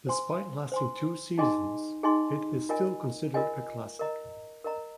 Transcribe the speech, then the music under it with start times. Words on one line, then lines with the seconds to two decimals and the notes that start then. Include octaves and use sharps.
Despite lasting two seasons, it is still considered a classic.
0.07 C5 G#5 C6
0.72 C5 G#5 C6
1.38 D#4 G#4 D#5 G#5 C6
2.03 D#4 G#4 D#5 G#5 C6
2.69 F4 A#4 D#5 G#5
3.34 F4 A#4 D#5 G#5
3.99 A#4 D#5 A#5
4.65 A#4 D#5 A#5